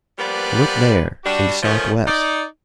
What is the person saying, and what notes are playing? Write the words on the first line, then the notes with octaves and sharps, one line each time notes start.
Look there, in the southwest.
F3 G3 A#3 B3 B4 D5
G3 D4 F#4
D#3 F3 A3 C#4
D#4 D5